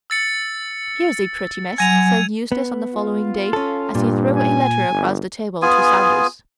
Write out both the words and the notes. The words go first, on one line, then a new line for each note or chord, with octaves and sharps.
"Here's a pretty mess!" said Eustace on the following day as he threw a letter across the table to Saunders.
E6 A6 C#7
F#3 G#5 G#6 D#7 F7
B3
F4
C#4 A4
G2 A#2
G#5
G1
B3 F4 G#4 G#5